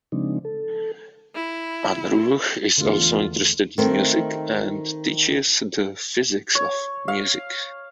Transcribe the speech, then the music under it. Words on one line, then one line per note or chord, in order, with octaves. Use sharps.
Unruh is also interested in music and teaches the Physics of Music.
C#3 F3 G#3 C4 D4 D#4
A4
E4
E2 D3 A3 F4
D#3 A3 C4
C#5
F5